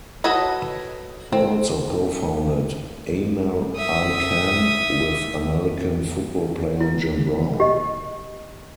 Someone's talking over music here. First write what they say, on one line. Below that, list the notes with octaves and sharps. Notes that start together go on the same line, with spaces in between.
He also co-founded Amer-I-Can with American football player Jim Brown.
F#4 A4 B4 C#5 D#5
C4
E5 D#6
E4
G4 D#5